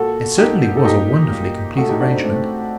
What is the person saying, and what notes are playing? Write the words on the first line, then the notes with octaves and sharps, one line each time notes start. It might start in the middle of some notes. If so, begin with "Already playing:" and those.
It certainly was a wonderfully complete arrangement.
Already playing: A#2 F#4 A4
A#2 D#4 G4
A4
A#2 D#4 G4
A#2
A2 F#4 A4
D#4 G4
D4 F#4
C4 D#4
A2 A3 C4